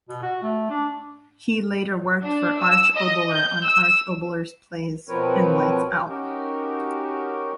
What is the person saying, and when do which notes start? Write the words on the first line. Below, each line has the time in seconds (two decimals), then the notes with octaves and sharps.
He later worked for Arch Oboler on "Arch Oboler's Plays" and "Lights Out".
0.09 B2
0.23 F#4
0.43 A3
0.70 D4
2.23 D4
2.61 E6
2.97 D#5
3.33 G6
3.65 E6
5.08 B2 F3 C4 A#4 B4 C#5
6.09 C#4 D#4 F#4 G4 A#4